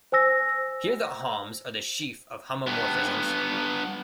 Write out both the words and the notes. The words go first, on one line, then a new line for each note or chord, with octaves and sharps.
Here the "Hom"'s are the sheaf of homomorphisms.
C5 G#5 E6 A#6
G2 B3